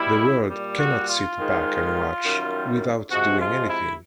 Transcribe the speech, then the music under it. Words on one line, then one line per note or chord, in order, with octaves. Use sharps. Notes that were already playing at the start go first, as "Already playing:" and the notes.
The world cannot sit back and watch without doing anything.
Already playing: B2 G3 E4
A#2 G3
F#4
F4
G#2 D#3 G#3
F#2 D#3 G3
C3 F3 G#3 F#4
F4
E4